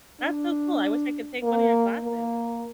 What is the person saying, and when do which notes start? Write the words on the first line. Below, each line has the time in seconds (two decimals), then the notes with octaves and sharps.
That's so cool, I wish I could take one of your classes.
0.21 D4
1.43 A#3
2.03 A#3